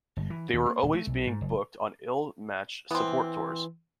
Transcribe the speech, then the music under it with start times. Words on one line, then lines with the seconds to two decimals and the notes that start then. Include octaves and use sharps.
They were always being booked on ill-matched support tours.
0.17 G1
0.30 E3
0.53 D#2
0.66 A#3
0.83 D#1
0.95 A3
1.07 B1
1.27 G#2
1.41 F#1
2.91 E3 B3 C4